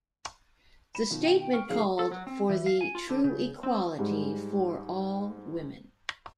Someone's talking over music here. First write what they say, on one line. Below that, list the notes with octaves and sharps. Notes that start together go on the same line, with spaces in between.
The statement called for "the true equality for all women".
B5 E7
B2 D#3 F4
G5
G5
C#6 F6 D7
B2 D#3 F#3 G#4 F5
A4
F#3
C4
E3
F5
G#5
F4
D3
C#3
C4
G#2 G3 G#3